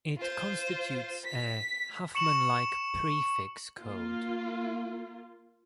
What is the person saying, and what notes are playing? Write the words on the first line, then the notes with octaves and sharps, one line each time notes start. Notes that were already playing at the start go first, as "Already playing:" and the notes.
It constitutes a Huffman-like prefix code.
F4 C5
B6
C#6 C#7 E7 F#7
A#3 F4